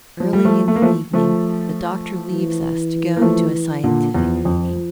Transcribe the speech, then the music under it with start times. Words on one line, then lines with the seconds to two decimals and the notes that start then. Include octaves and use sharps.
Early in the evening the doctor leaves us to go to a scientific meeting.
0.20 F3
0.33 G3
0.45 F3 A3
0.68 A3
0.76 A#3
0.82 F3 A3
1.13 F3 A3
2.30 E3
3.16 A#3
3.21 F3 A3
3.84 A#2 D3
4.14 E2 F3
4.45 F2